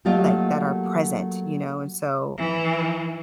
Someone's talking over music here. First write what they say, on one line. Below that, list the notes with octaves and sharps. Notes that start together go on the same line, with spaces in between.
like, that are present, you know, and so,
F#3 A3 A#3 F4 G4 D#5
E3